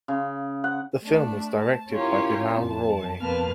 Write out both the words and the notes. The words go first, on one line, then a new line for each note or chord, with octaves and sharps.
The film was directed by Bimal Roy.
C#3
F#5
A3 D4
A5
C#4 E4 F4 G4 A#4 C#5
F2 A5
F2 B2 A#3 B4 A5 F6